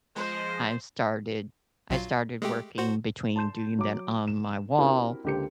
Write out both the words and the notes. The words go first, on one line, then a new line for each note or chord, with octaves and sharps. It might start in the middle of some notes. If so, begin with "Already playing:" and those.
I've started I started working between doing them on my wall
F3 G#3 C5 D#5
A#1 F#3 F4
G#3 A3 G4
F#4 C5
A5 C6 G6 E7
F#3 D6
E7
C4 D4 E4 F#4 G4 A#4
C#2 D3 A#3 G4 C5 C#7